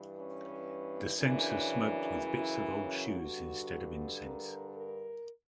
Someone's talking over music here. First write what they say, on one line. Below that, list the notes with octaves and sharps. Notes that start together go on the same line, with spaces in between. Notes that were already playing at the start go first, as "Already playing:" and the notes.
The censers smoked with bits of old shoes instead of incense.
Already playing: G2 E3
C#4
F#2 C#3 E3 D4
E4
F#4
G2 D3
A#4
A#4